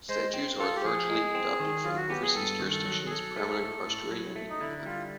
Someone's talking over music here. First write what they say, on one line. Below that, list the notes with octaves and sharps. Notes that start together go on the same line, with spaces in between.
Statutes are largely adapted from overseas jurisdictions, primarily Australia and England.
G#3 C5
C4
F4 A4
G4
F3 G#4
G#3
C4
D#3
F#3 F4
F#4
B3 G4
G#4
G2 A4
D#3
A4
F#3
G#4
F#3 A4
A3
A2
A2
F#3
A3
D#4
D3 E4
E4
G3 F4